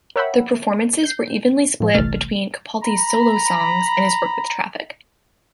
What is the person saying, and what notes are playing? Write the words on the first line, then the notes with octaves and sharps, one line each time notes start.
The performances were evenly split between Capaldi's solo songs and his work with Traffic.
A#4 C#5 E5 F#5 G5 B5
G6 C7
A2 F3
G1 C2 E3 A3 F6 A6
A#5 B5